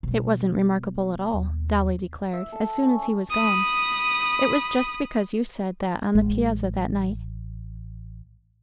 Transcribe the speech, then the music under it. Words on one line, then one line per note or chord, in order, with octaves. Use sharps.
"It wasn't remarkable at all," Dolly declared, as soon as he was gone. "It was just because you said that on the piazza that night."
B2 G3
D#2
E5
A4
C#4
B5 D#6
A1 G#3